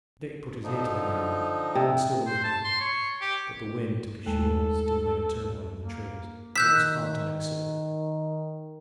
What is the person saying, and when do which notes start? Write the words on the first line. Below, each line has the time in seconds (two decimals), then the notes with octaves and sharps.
Dick put his ear to the ground, and still there was nothing; but the wind, to be sure, still made a turmoil in the trees, and it was hard to make certain.
0.63 D3 F3 D#4
1.75 C3
2.26 C5
2.44 A5
2.64 C6
2.80 C#5
3.21 G4
4.26 D#2 G#3 A3 A4
5.83 A#3
6.56 D#3 E6 F#6 G6 B6